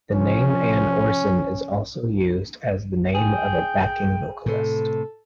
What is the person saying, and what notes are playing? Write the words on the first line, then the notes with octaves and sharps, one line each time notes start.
The name Ann Orson is also used as the name of a backing vocalist.
C3 F3 C#4
G#4 G5
A2 C3 A4